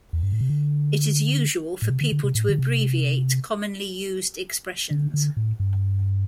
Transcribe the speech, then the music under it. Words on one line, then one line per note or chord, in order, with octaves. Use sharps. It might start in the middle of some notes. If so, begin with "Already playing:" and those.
It is usual for people to abbreviate commonly used expressions.
E2
G2
A2
C3
D3
A2
C3
D3
D3
C3
A2
D3
C3
D3
D3
A2
G2